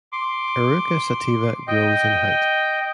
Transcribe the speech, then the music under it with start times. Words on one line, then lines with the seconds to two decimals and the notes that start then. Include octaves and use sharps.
"Eruca sativa" grows in height.
0.13 C6 D6
1.68 D#5 G5